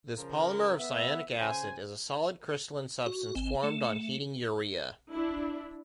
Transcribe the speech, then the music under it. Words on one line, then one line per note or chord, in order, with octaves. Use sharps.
This polymer of cyanic acid is a solid crystalline substance formed on heating urea.
C#3 F3 A#4
B3 B4 E5
C#3 C5 G#5
F#4
G#1 C4
A3
D4 E4